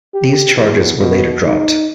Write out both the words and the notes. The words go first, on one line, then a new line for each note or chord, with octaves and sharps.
These charges were later dropped.
G4
E2
B2
D#4